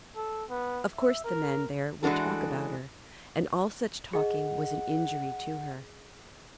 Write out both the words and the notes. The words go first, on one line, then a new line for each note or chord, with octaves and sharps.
Of course the men there would talk about her, and all such talking was an injury to her.
A4
B3
E5
A#4
E3 G#3 D4 F#4 A4
G#4 D#5 F#5